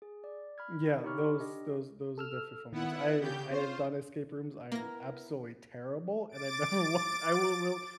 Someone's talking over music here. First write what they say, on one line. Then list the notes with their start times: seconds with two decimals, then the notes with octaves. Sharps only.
Yeah, those those those are definitely fun ones. I I have done escape rooms, I am absolutely terrible, and I never want I will will
0.02 G#4
0.24 D5
0.58 B5 F6 G#6
1.04 D#4 G4 C#5 B5 C#6 F6
1.39 D4 G4 D#5
2.18 A4 E6 F6
2.73 D#3 B3 E4 F#5
3.20 C#3 G4 G6
3.51 C4 F4 C5 C#5
4.72 A#3 B3 E4 A#4 A#6
6.30 D6 A6 D7